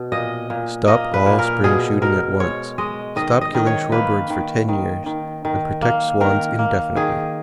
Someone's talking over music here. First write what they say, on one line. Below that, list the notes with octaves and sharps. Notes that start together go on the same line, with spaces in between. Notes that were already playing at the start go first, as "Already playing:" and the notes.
Stop all spring shooting, at once; stop killing shore birds for ten years, and protect swans indefinitely.
Already playing: B2
A#2 D#5
A#2
A#3 D#5
B4
A#2
A#4
B2 G#4
B2 A#4
G#3 C#5
G#3 D#5
D#3 D#5
D#5
D#3
C#5
A#3 B4
D#3
D#3
D#3
D#3
A#3
D#3 A#4
A#3
D#3 G#4